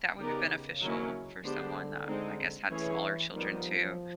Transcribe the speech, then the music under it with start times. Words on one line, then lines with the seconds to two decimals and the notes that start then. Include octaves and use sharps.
that would be beneficial for someone that I guess had smaller children too,
0.18 C#3 B3 D#4 G4 A#4 D5
0.81 D#3 F#3 A#3 C#4 E4
1.44 D3 G#3 B3 D4 G4 C5
2.07 G#3 C4 D#4
2.69 E3 A3 C#4 E4 G#4 C#5
3.33 D#3 F3 G3 B3